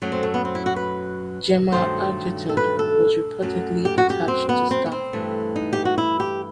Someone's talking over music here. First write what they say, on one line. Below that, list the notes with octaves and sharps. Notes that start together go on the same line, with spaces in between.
Gemma Arterton was reportedly attached to star.
F#2 F#3 A3
C4
A3
B3
C4
E4
F#4
B4
G2 D#3 F#3 A3 C5
A4
B4
A4
F#2 F#3 A3
G4
F#4
G4
C4
B3
C4
B3
C4
G2 E3 A3
D#4
G4
F#4
E4
G4